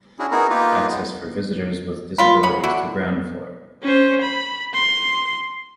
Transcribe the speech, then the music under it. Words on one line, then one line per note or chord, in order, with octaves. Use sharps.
Access for visitors with disabilities to ground floor.
C#4 D4 E4 F#4 G#4
B3 D#4 E4 F#4 G#4 A#4
A#3 D#4 F4 G4 A#4 B4
G#3 B3
D#3 F4 B5
B3 C#4 B5
D3 E4 F#4
C#4 C5
B5
C6